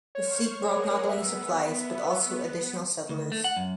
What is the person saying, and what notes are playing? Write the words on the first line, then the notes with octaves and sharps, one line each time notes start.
The fleet brought not only supplies, but also additional settlers.
C5 C#5 C#6 F6
G#4 A#4 F#5
B3 E5
D2
A3
F#5
F#2